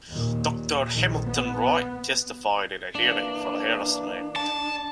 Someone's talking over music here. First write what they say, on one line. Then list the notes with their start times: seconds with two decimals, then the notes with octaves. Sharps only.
Doctor Hamilton Wright, testified at a hearing for the Harrison Act.
0.10 D#2 A#2
0.94 A#1 D#3
1.25 B3
2.95 E3 A#3 D4
4.36 A5